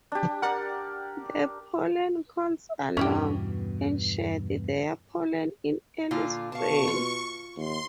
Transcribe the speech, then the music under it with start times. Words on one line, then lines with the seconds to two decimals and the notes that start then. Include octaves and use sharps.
The pollen cones are long, and shed their pollen in early spring.
0.12 D4 G4
0.42 A#4 D5 F#5
2.97 E2 G2 B2 C#4 E4 G4
6.11 A#2 D3 F4
6.52 B2 F5 A5 C#6
6.88 F4
7.57 D#2 C6